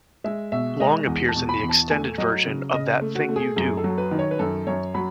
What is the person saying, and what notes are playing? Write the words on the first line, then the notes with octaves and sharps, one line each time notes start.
Long appears in the Extended Version of That Thing You Do!
G#3 E5
B2 E5
G#3 D#5
E2
A5
B2
B5
E2
A5
A3 G#5
F#3 D#5
C#3
C#3 D#5
A3
F#4
A3
G#4
F#2 G#4
A4
F#3
B4
D#3
C#5
B4
F#2 A4
F#2 C#5
F#3 B5